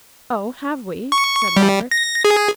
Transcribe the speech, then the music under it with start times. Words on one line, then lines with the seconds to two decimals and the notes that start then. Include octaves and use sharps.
'Oh, have we?' said Robert.
1.12 C#6
1.57 G3
1.91 A#6
2.25 G#4